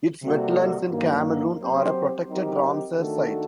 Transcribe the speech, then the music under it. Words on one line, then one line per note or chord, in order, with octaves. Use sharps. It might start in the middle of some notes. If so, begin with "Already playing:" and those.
Its wetlands in Cameroon are a protected Ramsar site.
C3 G3 A#3 F#4 A4
G2 D#3 F#3 A#3
F#3 C4 G4 C5
F#3 C4 D#4 G4 A#4
D#3 A3 D4 F#4 A4